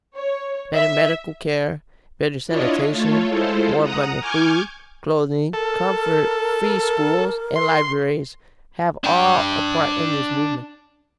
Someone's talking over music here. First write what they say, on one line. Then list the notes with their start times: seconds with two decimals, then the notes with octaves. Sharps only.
Better medical care, better sanitation, more abundant food, clothing, comfort, free schools, and libraries have all a part in this movement.
0.16 C#5
0.76 E5
2.47 D4 E4 F4 C#5 D#5
2.91 A3 F4 A4 C#5
3.28 G#3 E4 F4 A4 C5
3.81 F#5 A#5 D#6
4.21 G#5 C#6 D6 F6 G6 G#6
5.53 A4 A#4
7.56 C6
9.04 D4 G5